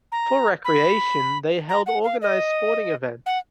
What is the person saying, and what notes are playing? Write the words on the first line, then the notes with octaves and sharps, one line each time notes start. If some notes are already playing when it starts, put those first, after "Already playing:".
For recreation, they held organized sporting events.
A#5
B5
A#5
F#5
F5
D#5
F#5